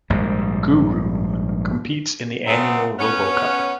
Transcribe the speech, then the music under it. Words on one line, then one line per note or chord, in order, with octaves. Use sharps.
GuRoo competes in the annual RoboCup.
A#1 G#2 G3
C#3 F#3 A3 B3 C4
B3 C#4